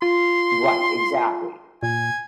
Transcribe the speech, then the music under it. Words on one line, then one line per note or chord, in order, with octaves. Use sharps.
Right, exactly.
F4 C6
A#2 G#5